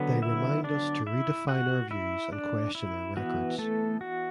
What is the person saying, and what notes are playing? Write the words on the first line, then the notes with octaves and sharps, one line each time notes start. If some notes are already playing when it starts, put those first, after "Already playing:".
They remind us to redefine our views and question our records.
Already playing: D3 F#3 B3
E4 E5
D4 D5
E4 E5
F#4 F#5
E4 E5
D4 D5
E4
E3 B3 F#4
A3 A4
F#4